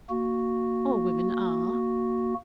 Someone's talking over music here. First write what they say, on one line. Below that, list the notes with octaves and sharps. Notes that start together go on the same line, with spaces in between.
All women are.
A#3 F#4